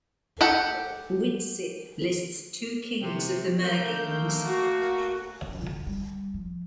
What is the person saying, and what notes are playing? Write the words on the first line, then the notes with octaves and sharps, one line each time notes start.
Widsith lists two kings of the Myrgings.
G4 A4 F#5 G5
C3
A3 A#3 G6
F#4
C#4
D3
G3
F3